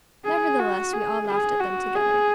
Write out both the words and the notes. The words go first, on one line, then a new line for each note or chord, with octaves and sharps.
Nevertheless we all laughed at them together.
G#4
F#4
G#4
G#4
F#4
G#4